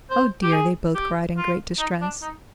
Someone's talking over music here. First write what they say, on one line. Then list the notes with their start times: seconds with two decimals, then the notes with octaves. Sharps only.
"Oh, dear!" they both cried in great distress.
0.10 C5
0.43 G4
0.52 G#4
0.95 G4
1.37 F4
1.79 D#4
2.01 D4
2.22 D#4